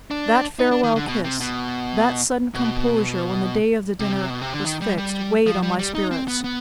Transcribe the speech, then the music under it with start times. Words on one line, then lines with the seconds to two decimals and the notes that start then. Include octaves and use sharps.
That farewell kiss, that sudden composure when the day of the dinner was fixed, weighed on my spirits.
0.11 D4
0.59 D#4
0.71 D4
0.83 D#3
0.96 D3
1.08 B2
1.24 C3
1.40 B2
2.54 B2
4.00 C3
4.30 B2
4.42 C3
4.54 D3
4.65 D#3
4.82 G3
4.98 G3
5.46 F3
5.62 G3
5.79 G3
5.95 D#4
6.11 C4
6.28 B3
6.44 B3